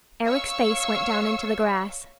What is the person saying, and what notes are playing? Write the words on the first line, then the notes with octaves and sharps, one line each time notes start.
Eric's face went down into the grass.
C#5 F5 C#6 E6